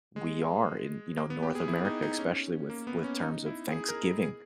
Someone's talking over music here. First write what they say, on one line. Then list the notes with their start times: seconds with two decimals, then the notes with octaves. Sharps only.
we are in, you know, North America, especially with with terms of Thanksgiving.
0.16 G#3
1.17 A#3
1.30 B3
1.43 G4
1.55 G#4
1.68 E4
1.85 D#4
2.02 D#4
2.19 C#4
2.70 A#3
2.87 B3
3.04 C#4
3.20 D#4
3.46 E4
3.71 G#4
3.89 A#4
4.05 A#4
4.22 G#4